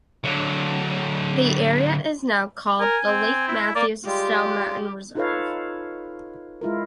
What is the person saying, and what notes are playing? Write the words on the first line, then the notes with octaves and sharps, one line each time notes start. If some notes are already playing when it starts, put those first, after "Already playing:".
The area is now called the Lake Mathews Estelle Mountain Reserve.
D3 F#3
A#4 G#5
C4
E4
A#3 D5
G3 G#3 F4 G4
D#4 F4 A4 B4 C#5 F5
G#3 E4 F4 A#4